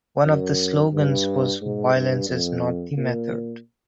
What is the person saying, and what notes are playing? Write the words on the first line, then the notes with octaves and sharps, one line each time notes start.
One of the slogans was "Violence is not the method".
F#2
G2
G#2
G2
F2
A#2